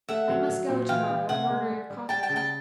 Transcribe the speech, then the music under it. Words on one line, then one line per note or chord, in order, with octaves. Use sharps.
I must go to-morrow and order your coffin.'
A3 E5 F#5
F#3
F#3
A#2
E3 F5 G5
E3
C3 F#5 G#5
G#3
G3
G3
G3 G5 A5
G5 A5
C#3
G5 A5